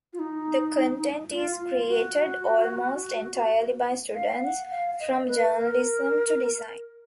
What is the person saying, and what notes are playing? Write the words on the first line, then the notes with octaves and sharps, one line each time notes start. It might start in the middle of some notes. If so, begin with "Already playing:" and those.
The content is created almost entirely by students, from journalism to design.
F4
D#4
F4
F4
F#4
F5
F#5
F5
D#5
B4
A#4